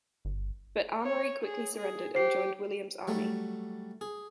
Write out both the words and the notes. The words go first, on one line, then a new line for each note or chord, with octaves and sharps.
But Amaury quickly surrendered and joined William's army.
G1
C#5
G#4
G#4
G4 C5 C7
F#3 G3 A3
G#4